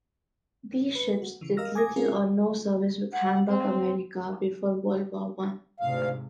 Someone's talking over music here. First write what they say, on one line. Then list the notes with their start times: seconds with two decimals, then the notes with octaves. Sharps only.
These ships did little or no service with Hamburg-America before World War One.
0.95 B4
1.22 F#4
1.41 C#3 E3
1.57 A#4 D#5 F5 E6 F6 A#6
1.75 G#5 D6 D#6 G#6 A#6
1.96 G#3 C4 C#4 F4 G#4 A#4
3.12 F#5
3.48 C4
5.80 D2 G#2 C3 F5